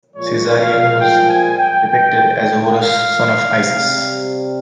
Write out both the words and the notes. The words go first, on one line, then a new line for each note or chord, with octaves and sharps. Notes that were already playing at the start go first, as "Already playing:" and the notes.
Caesarion was depicted as Horus, son of Isis.
A#2 F3 G#3 C#5
F5
G5
G#5
G5
A#2 G#3 G5
F5
C3 G3